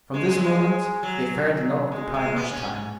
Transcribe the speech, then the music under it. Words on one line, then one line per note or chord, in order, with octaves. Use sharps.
From this moment the affair did not occupy much time.
G#3
G#3
F#3
G#3
F#3
G#3
G#3
B3
C#4